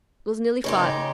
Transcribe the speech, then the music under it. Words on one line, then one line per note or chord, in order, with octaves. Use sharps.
It was nearly five.
C#3 D#4 G4 C#5 C6